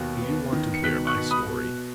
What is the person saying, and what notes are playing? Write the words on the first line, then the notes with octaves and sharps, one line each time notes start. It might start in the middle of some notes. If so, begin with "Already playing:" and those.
"Do you want to hear my story?"
Already playing: D#2 B2
B3
D#3
C#7
B2 F#6 B6
C#6 F#6
B2
B5 D#6
B2